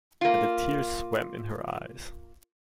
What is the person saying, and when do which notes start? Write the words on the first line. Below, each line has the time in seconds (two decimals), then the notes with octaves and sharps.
And the tears swam in her eyes.
0.21 A#3 F4